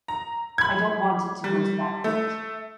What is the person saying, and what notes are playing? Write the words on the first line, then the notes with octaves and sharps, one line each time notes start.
I don’t want it to go to that point.
A#5
B5 G#6
G3
A3